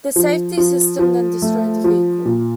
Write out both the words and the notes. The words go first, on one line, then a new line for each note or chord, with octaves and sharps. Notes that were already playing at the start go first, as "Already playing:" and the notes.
The safety system then destroyed the vehicle.
F3
F3
F3
A3
F3
A#2